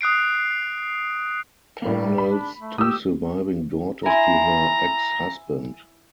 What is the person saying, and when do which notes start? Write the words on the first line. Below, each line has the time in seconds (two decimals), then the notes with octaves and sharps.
Parnell's two surviving daughters to her ex-husband.
0.01 D#6 F#6 C7 D7
1.82 A2 G3 A#3
2.18 B5
2.31 D4
2.60 A3
2.78 G4 D#6 E6
4.06 E4 G#5 A#5 C6